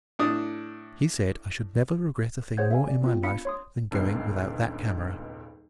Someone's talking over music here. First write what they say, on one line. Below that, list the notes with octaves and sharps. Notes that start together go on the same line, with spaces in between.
He said I should never regret a thing more in my life than going without that camera.
A2 D4 D#6
G#4 C5 C#5 F#5 G6 G#6
E5 F5 G#5
D5
B3 C4 F4
D4 F5 B5 B6 C#7
C#5 C6 D#6
D#1 G#1 C#2 G2 B3 C7